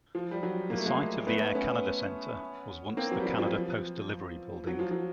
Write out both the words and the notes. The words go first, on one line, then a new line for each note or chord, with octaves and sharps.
The site of the Air Canada Centre was once the Canada Post Delivery Building.
F3
G3
F#3
A#3
A3
G#3 A#3
A3 B3
B3 C#4
A#3 C4
F#3
G3
F#3
F3
F#3
F3
F#3